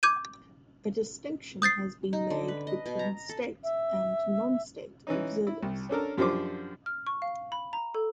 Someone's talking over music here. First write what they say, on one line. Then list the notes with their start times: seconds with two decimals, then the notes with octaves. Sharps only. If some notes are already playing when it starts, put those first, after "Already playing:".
A distinction has been made between state and non-state observers.
0.03 D6 G6 G#6 D#7
1.62 D#6 G6 A6 C7
2.13 D#4
2.30 D3
2.48 B4
2.67 D#5
2.86 B2
2.99 A#5
3.29 A4
3.64 E5
5.07 E3 C#4 D#4
5.47 E4
5.63 C2
5.89 C#4 D4 A4 A#4
6.17 F#2 F3 G3 D4 C5 D6
6.86 F6
7.07 C#6
7.22 F5
7.52 B5
7.73 A#5
7.94 A4